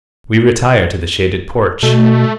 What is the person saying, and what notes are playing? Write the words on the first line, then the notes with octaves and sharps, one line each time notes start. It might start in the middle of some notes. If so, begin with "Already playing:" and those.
We retire to the shaded porch.
B2 A3